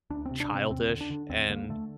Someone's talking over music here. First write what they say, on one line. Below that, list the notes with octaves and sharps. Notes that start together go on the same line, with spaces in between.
childish, and
D2 D4
C4
C3
D4
C3 C4
D#2 C4
D3
D4
D3
D#2 C4
D3 A#3
D3 A3